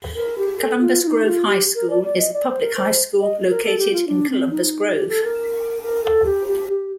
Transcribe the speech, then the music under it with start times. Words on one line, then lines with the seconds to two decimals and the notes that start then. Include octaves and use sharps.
Columbus Grove High School is a public high school located in Columbus Grove.
0.16 A#4
0.38 G4
0.59 A#4
0.62 A4
0.81 F4
1.03 F4
1.07 D#4
1.25 G4
1.29 F4
1.47 G4
1.75 A#4
1.90 D5
2.04 D5
2.18 D#5
2.34 D5
2.48 C5
2.62 A#4
2.76 C5
3.21 D#5
3.50 A#4
3.64 A4
3.79 G4
3.93 F4
4.08 D4
4.30 C4
4.51 D#4
4.95 G4
5.09 A4
5.24 A#4
5.82 A#4
6.04 A4
6.26 G4
6.48 G4
6.69 G4